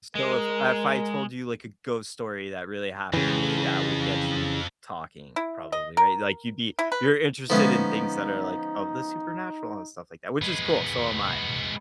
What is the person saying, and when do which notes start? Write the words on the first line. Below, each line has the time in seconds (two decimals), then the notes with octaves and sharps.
So, if if I told you, like, a ghost story that really happened to me, that would get you talking probably, right? Like, you'd be you're interested in things that are, like, of the supernatural and stuff like that, which is cool, so am I.
0.15 G#3 A#4
3.14 F2 C#3 E3
5.36 E4
5.72 D#5
5.97 A#4
6.79 E4
6.92 B4
7.50 D3 F3 G#3 B3 C#4 D#4
10.42 G#3 B3